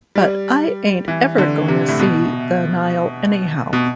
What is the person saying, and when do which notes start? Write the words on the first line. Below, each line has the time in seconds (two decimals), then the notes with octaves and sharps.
But I ain't ever gonna see the Nile anyhow.
0.15 G3
1.08 E3
1.38 D3
1.68 C3
1.88 A2
1.99 B2
3.73 B2